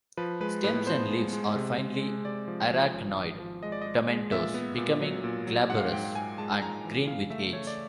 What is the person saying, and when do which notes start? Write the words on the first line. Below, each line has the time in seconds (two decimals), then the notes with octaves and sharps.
Stems and leaves are finely arachnoid-tomentose becoming glabrous and green with age.
0.17 F3 B4
0.41 G#3 B4
0.64 A2 B4
0.87 B3 C5
1.09 G#3
1.33 G#3
1.56 C3
1.79 G#3
2.02 G#3
2.24 C3 D5
2.48 F3
2.71 F3
2.93 G#1
3.17 G#1
3.40 F3
3.63 G#3 D#5
3.72 D5
3.82 G#3 D#5
4.09 G#3
4.32 A#2 E5
4.54 B3
4.77 A#2
5.00 F#3
5.24 A#2
5.47 F#3
5.69 G#2 F#5
5.77 F5
5.85 F#5
5.92 G#2 G5
6.15 G#2 G#5
6.38 G#3 A5
6.61 G#2 A#5
6.85 E3
7.07 C#3 F5
7.30 A3 E5
7.53 A3 C#5
7.67 D5